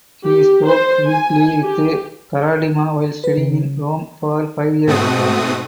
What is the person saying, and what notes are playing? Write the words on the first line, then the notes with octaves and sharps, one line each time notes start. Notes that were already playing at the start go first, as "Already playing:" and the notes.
He spoke weekly with Karadima while studying in Rome for five years.
G4
C5
G#5
G4
B4
C#3
G#2 B2 A3 C4 F#4 D#6